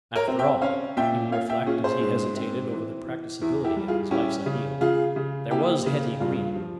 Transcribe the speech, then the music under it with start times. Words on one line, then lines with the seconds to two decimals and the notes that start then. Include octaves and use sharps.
"After all," he would reflect as he hesitated over the practicability of his life's ideal, "there was Hetty Green."
0.16 A#4 C#5
0.28 C4
0.39 E5 G5
0.62 C#4 C#5 F5
0.97 A#2 E5 G5
1.32 A#2 C#5 F5
1.49 E5 G5
1.66 C#4 F4 G#4
1.84 G#4 C5
2.01 G#2
2.36 C4
2.71 E3
3.06 E3
3.41 E2 E4
3.64 E4 G4
3.76 G3
3.88 F4 G#4
4.11 C#4 E4 G4
4.46 C#3
4.81 C#3 F4 G#4
5.16 C#3
5.50 A#3 E4 G4
5.86 C#3
6.20 G2 F4
6.56 F3